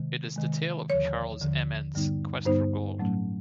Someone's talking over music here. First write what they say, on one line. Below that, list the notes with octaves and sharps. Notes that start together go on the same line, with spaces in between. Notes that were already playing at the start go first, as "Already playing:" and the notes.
It is the tale of Charles Amand's quest for gold.
Already playing: C3 D#3 G#3
C3 D#3 G#3
D#2 D3 F3 C#5
D#2 D3 F3
G2 D3 G3 B3 D#4
G2 D3 G3 B3 D#4 C5
A2 F#3 A3 C#4